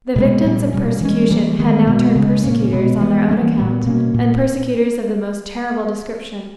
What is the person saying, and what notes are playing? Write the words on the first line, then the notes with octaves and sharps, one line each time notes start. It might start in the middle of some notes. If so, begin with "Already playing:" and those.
The victims of persecution had now turned persecutors on their own account, and persecutors of the most terrible description.
B2 G#3 B3
A#2 G3 C#4
B2 G3 C#4
E3 G#3 C#4
E3 G3 A#3
D#3 G#3 B3
B2 G#3 B3
C#3 G#3 C#4
A#2 A#3 C#4
B2 G#3 B3
E3 G#3 B3
E3 G3 A#3 C#4
A#2 G3 B3
B2 A#3 C#4
A#2